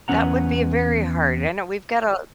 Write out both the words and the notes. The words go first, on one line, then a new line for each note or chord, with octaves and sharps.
that would be very hard. I know we've gotta
E2 B3 C#4 F#5 A#5